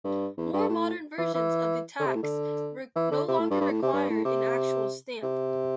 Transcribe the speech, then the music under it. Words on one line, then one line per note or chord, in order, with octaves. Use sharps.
More modern versions of the tax no longer require an actual stamp.
G2
E2
G2
A2
E3
E3
D3
C3
A2
D3
E3
D3
C3
A2
G2
G2
A2
C3
G2
A2
C3
C3